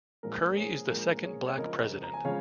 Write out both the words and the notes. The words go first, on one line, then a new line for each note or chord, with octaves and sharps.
Curry is the second Black president.
A#1 A#2 F3 G#3 A#4
G#4 C#5
A#1 A#2 F3 G#3 A#4
G#4 C#5
C#5
C#2 C#3 F3 G#3 A#4 D#5
A#5
G#5
C#3 F3 G#3 C#5 F5